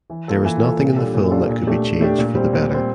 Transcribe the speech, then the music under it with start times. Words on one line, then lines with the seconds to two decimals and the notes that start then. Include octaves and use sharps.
There is nothing in the film that could be changed for the better.
0.10 E3
0.28 A#3 F4 A4
0.45 E3
0.62 A#3 F4 A4
0.79 A#2
0.96 G3 D4 F4 A4
1.15 A#2
1.31 G3 D4 F4 A4
1.49 A#2
1.67 A3 D4 G4
1.84 A#2
2.01 A3 D4 G4
2.18 A#2
2.35 G3 C4
2.53 A#2
2.71 G3 C4